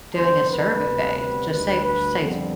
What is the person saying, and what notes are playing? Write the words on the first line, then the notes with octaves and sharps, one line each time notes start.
doing a survey, just say say
F2 D3 G3 B3 C5
B4
D2 C3 G3 B3
B4
D2 D3 G3 B4
B4
F2 D3 G3 B3